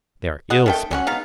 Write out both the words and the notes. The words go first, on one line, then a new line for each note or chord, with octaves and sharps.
They are ill spoken.
G#4 D#5 F#5
D#3 A3 G5
F#3 C#4 F#5
G#3 B3 D#4 F5